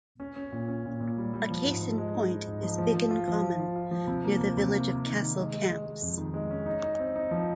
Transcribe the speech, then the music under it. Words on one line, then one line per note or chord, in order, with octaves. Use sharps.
A case in point is Biggin Common, near the village of Castle Camps.
C#4
C#4
A#2
C#4
A#2
A#2
G3
G3
F3
G#2
F3
G#3
D#4
D#4
G#2
F3
F3
F3
F4
F3
F4
F4
F4
F3
C3
A#3
C3
C3
A#3
C3
D#3
D#3
G#3
G#3
G#3
G#3
F2
D#3
G#3
C#4
D#4
D#4
C4
D#4
F3